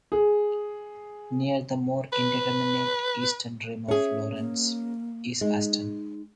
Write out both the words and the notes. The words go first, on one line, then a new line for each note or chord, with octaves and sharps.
Near the more indeterminate eastern rim of Lorentz is Aston.
G#4
B4
C#4 G#4 E5
A#3
G#3 D#4